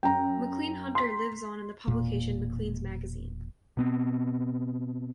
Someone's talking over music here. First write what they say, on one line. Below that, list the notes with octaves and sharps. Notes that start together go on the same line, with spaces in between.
Maclean-Hunter lives on in the publication "Maclean's" magazine.
F#2 G5 A#5
C6 B6
E1 A#2 A#3
B2 B3 C4